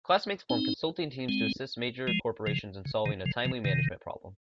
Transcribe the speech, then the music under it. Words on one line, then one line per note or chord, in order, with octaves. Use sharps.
Classmates form consulting teams to assist major corporations in solving a timely management problem.
C4 D#4
G#3 C4
F3 G#3
C#3 F3
C#3
C3 D#3
C#3 F3
C#3 F3
C3 D#3